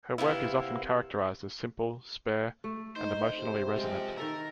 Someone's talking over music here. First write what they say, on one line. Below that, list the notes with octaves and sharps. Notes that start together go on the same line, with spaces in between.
Her work is often characterized as simple, spare, and emotionally resonant.
C3 A#3 B3 E4
A3
D#4 C5
C3
G#3 F4 G5
D#3 A4 A#4 E5